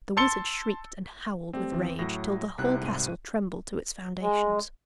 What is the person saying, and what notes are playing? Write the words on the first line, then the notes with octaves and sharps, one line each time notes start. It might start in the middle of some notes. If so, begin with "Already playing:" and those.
The wizard shrieked and howled with rage, till the whole castle trembled to its foundations.
A5 C6 E6 A6 C#7 G7
G3 A3 C4 G4
E2 E3
A2 F#3 A#6
C2 C3 D#4 E4 C5 F#6
G#1 D#7
G#3